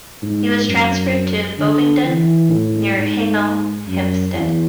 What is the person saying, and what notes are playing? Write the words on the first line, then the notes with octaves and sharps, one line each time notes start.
He was transferred to Bovingdon near Hemel Hempstead.
G#2
F#2
D3
E3
A2
G#2
F#2
E2